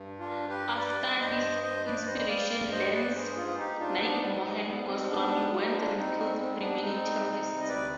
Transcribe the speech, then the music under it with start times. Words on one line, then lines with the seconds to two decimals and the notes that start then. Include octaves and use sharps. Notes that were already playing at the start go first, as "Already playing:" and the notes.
After his inspiration Lance Naik Mohan Goswami went and killed remaining terrorists.
Already playing: G2
0.19 D4 F4
0.34 G2
0.48 G4 B4
0.77 G3 B4 D5
1.20 G2 C5 D#5
1.63 G2 C5 D#5
1.85 B4 D5
2.03 D5
2.07 G3 C5 D#5
2.19 D#5
2.28 D5 F5
2.49 G2 D5 F5
2.71 C5 D#5
2.93 G2 B4 D5
3.15 G#4 C5
3.36 G#2 F4 G#4
3.58 D#4 G4
3.79 G#2 D4 F4
3.97 D#4
4.01 B3 D4
4.22 G3
4.44 G#3
4.66 G#2 G3 B3
4.87 G#3 C4
5.09 G3 B3 D4
5.52 G#2 F4
5.64 D#4
5.73 D4 F4
5.95 G3 C4 D#4
6.17 G#3 C4
6.38 G#2 G#3 C4
6.60 B3 D4
6.82 G3 C4 D#4
7.25 C3
7.61 D#5
7.68 D2 B4 D5